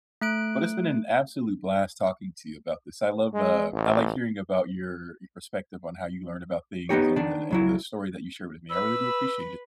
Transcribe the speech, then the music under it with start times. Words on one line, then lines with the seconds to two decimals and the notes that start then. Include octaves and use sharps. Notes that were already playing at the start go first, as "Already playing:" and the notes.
But it's been an absolute blast talking to you about this. I love, uh, I like hearing about your your perspective on how you learned about things and the and the story that you shared with me. I really do appreciate it.
0.21 A3 F#6 D7
3.34 G#3
3.72 A1
6.89 B3 C4 D#4 G4 C#5
7.16 D#3 D4
7.51 C#2 F#3 E4
8.70 B4 B5 E6